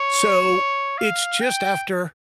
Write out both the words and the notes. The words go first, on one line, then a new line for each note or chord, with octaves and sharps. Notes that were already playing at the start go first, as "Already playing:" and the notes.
So, it's just after
Already playing: C#5
F5
G5